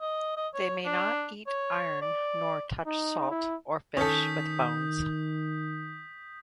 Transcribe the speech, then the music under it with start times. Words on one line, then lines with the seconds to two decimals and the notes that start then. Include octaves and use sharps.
They may not eat iron nor touch salt or fish with bones.
0.01 D#5
0.37 D#5
0.54 C#5
0.86 D4
1.47 C#5
2.02 D5
2.86 D#4
3.30 E4
3.97 D#3 C#4 A4 D#6 G6 B6